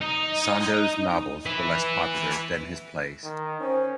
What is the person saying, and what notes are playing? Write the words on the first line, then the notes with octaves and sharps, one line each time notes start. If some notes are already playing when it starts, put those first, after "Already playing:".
Sandeau's novels were less popular than his plays.
D#4
B4 E5
D#3
C#4 C5